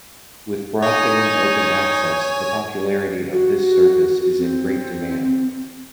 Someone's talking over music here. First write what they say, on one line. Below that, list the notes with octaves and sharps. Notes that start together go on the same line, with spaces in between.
With broadband open access, the popularity of this service is in great demand.
D#4 C#5 G#5
F#4
C4